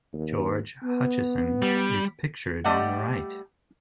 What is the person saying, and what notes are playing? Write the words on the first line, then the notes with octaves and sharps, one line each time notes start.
George Hutcheson is pictured on the right.
D#2
B3
G3
G3 A3 G4 D#5 F#5